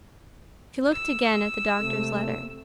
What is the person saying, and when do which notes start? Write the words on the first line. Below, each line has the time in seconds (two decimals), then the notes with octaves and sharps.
She looked again at the doctor's letter.
0.93 E6
1.80 C3 A3